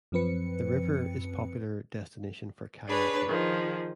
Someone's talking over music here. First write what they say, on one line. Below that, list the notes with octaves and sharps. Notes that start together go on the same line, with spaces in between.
The river is popular destination for kayaking.
F#2 F3 C4 B4 C#7
D4 G#4 B4 C#5
D#3 F3 G#4